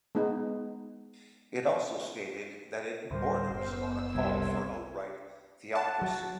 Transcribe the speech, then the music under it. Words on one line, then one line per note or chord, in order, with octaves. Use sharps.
It also stated that it "borders on a call for outright theocracy".
G#3 B3 D#4
D2 A2 G3 A#4 C5
F#1 B3 E6
C2 C#5 C6 G#6
F#5 A5
F#3